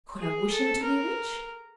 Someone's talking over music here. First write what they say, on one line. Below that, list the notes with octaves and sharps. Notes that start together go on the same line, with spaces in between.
Could I wish him to be rich?
G#4
A4
A#4